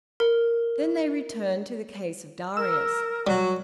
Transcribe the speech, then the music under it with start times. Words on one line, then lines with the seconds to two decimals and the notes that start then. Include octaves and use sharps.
Then they returned to the case of Darius.
0.20 A#4
2.57 A#4 E6
3.27 F#3 G3 F#4